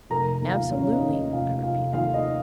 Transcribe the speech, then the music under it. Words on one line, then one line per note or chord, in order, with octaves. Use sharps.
"Absolutely!" I repeated.
F1 A#4 A#5
D#2
F4 F5
D#2 C#4 C#5
D#4 D#5
D#2
D#4 D#5
F1 F4 F5
F1 F4 F5
D#2 F4 F5
D#4 D#5